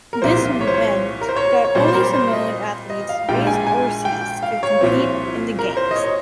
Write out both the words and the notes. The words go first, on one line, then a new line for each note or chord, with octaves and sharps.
This meant that only Samoan athletes based overseas could compete in the games.
A#4
C2 A#2 F3 C5
C#5
C5
C#5
A#4
C5
C#5
C#5
A#2 G3 C4 C5
C5
A#4
C5
D#5
D#5
F5
A#1 A#2 G#3 G5
G#5
G#5
G5
F5
C#5
C2 A#2 F3 C4
A#4
C5
D#5
C#5